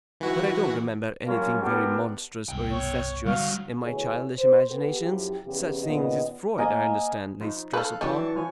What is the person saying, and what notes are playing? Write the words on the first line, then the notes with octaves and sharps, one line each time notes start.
But I don't remember anything very monstrous or incestuous in my childish imaginations,--such things as Freud, I understand, lays stress upon.
E3 F#4
F#3 G3 A#3 C#4 F4
B3 D4 F#4 G4 A#4
G1 C2 G2 B2 G5
C#5
D3 G3 F#4 F5 C#6
B2 D3 A3 E4 G#4 C#5
C5
B3 G4 A4
F#2 F3 E4 G4
E2 C#3 E3 G4
D#2 A#2 C#3 B3 D#5
A#3 D#5 G#5
F3 D#4
A4 B4 F5 F#6
E3 F#3 D4 G4 A5 C#6
F3 C#5 G#5